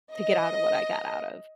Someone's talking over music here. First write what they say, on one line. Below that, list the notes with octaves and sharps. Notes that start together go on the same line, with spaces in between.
to get outta what I got out of,
D#5